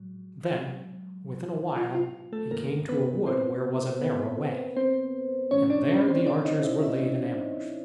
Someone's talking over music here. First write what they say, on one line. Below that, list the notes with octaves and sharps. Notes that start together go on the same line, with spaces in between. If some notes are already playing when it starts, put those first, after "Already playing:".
Then within a while he came to a wood where was a narrow way; and there the archers were laid in ambush.
Already playing: A2 F3 F#3 G#3
F4
F4
A3 A4
G2 D#3 G#3 A#3 A#4
B3 B4
C4 C5
B3 B4
C4 C5
A2 E3 A3 C#4 C#5
D4 D5
C#4 C#5
C4 C5
D4 D5
D#4 D#5
E4 E5
E4 E5